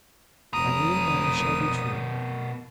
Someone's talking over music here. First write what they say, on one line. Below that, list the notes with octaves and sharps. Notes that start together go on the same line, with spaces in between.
I mean that it shall be true.
F1 B2 A#4 D#6